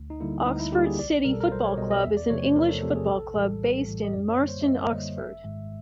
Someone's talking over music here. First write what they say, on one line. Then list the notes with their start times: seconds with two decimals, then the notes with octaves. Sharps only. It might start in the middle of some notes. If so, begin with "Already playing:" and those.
Oxford City Football Club is an English football club based in Marston, Oxford.
Already playing: D2
0.10 D#4
0.20 D3 G3 A#3 E4
0.46 D2 D#4
0.60 E4
0.72 D3 G3 A#3 G4
0.86 G#4
0.99 B1 D5
1.25 B2 G3 A#4
1.33 A4
1.41 A#4
1.51 B1 C5
1.65 C#5
1.78 B2 G3 D#5
1.91 D#5
2.04 E2 E5
2.17 D5
2.30 C3 F3 A3 C#5
2.43 C5
2.56 E2 A#4
2.69 A4
2.82 C3 F3 A3 A4
2.96 G#4
3.08 A#1 A4
3.35 A2 E3 G3
3.61 A#1
3.87 A2 E3 G3
4.05 D#5
4.13 F#2 D5
4.30 C#5
4.39 D3 G3 A#3
4.48 C5
4.61 E5
4.65 F#2 D#5
4.92 D3 G3 A#3 D#5
5.18 G#1 E5
5.44 G#2 D#3 G#3